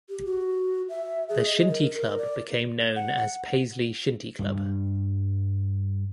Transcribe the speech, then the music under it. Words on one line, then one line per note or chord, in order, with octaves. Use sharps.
The shinty club became known as Paisley Shinty Club.
G4
F#4
E5
G#4
D#5
A#4
A#4
D5
F#5
G2 G3